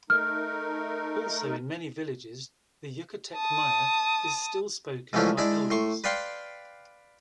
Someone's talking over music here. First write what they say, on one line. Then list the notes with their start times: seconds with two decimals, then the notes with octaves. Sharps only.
Also in many villages the Yucatec Maya is still spoken by elders.
0.10 A3 D#4 A#4 F6
3.36 A5 D#6
5.13 G#2 E3 F3 A3 C#4 D4
5.38 G#3 D4 E4 D5
5.70 A2 C6 C#6
6.04 B4 D5 F5 G5 C6